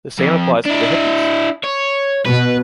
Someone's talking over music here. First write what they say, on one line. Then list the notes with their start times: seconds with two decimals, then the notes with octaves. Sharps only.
The same applies to the hippies.
0.19 F2
0.66 D4 E4
1.64 C#5
2.26 B2 B4